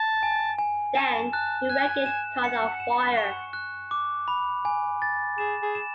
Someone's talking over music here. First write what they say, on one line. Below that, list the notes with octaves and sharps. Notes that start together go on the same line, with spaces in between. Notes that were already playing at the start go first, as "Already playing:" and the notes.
Then, the wreckage caught on fire.
Already playing: A5
G#5
G#5
A5 E7
A5 F#6
G#5 F#6
E7
F#5 C#7
E7
C#6
F#6
D6
B5
G#5
A6
G#4 E7
G#4
E7